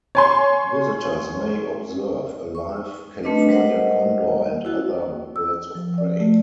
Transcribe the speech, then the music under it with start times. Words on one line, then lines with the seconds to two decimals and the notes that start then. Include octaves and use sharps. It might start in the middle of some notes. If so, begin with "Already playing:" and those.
Visitors may observe a live California condor and other birds of prey.
0.15 C#5 G#5 C6
2.55 C#6
3.24 A3 C4 D4 B4 D#5
3.49 G3 A#4 C5 D#5 F#5
4.65 E4 F#4
5.36 E6
5.75 F3
5.98 D5
6.20 A3